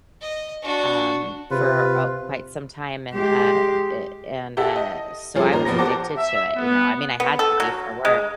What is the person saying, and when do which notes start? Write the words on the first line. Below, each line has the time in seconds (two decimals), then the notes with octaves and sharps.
um, for a quite some time, and, uh, eh, and, uh, so I was addicted to it, you know, I mean, I had to be for work.
0.21 D#5
0.62 D4 F#4
1.51 C3 F4 B4
3.13 G#3 G4
4.57 E4 G4 A4 E5 F#5 A5
4.76 D#5
5.35 F3 G3 C#4 F4 G#4 A4
5.51 D#2 A#2 C5 A#5
5.65 A#1 F3 B3 A#6
5.78 G4 A#4 C5 F#5 A5 D6
6.17 E5
6.55 B3
7.20 B3
7.39 A4
7.60 F#3
8.05 G#3